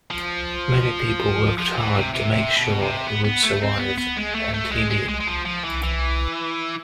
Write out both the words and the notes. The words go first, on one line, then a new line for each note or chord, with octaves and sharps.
Many people worked hard to make sure he would survive and he did.
F3
F3
E3
C3
C3
C3
B2
C3
B3
B3
A3
C4
B3
B3
G#3
A3
A3
G#3
G#3
G#3
G#3
F3
F3
E3
E3